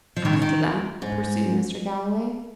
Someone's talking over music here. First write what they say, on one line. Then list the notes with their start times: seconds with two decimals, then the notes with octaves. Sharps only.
"After that?" pursued Mr. Galloway.
0.16 F3
0.25 D#3
0.33 C#3
0.42 D#3
1.02 G#2